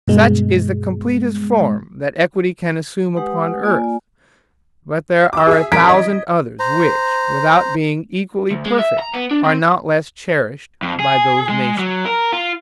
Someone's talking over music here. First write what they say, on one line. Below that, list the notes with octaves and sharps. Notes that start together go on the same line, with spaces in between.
Such is the completest form that equality can assume upon earth; but there are a thousand others which, without being equally perfect, are not less cherished by those nations.
G2 B2 G#3
G#3 G4 B4 F#5 D#6
A#3 F4 D5 G#5
D6 E6
G#4 E5
A1 A#4 A#5 G#6 B6 D7
D#5
C5 A#5
D2
G#3
E5
A#5
B3
D4
C4
F2
G#4
G#3
F#3
A#4
F4